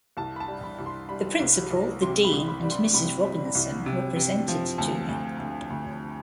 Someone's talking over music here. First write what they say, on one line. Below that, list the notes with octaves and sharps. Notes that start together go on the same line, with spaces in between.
The Principal, the Dean and Mrs Robinson were presented to me.
C2 A5
B5
A5
G3
B5
C2
C6
G3 B5
C2
C2
C3 C6
B5
C2
B5
G3
C6
C3 B5
G3
C2
C3
C3
F3
D2 A5
D2
D2
D2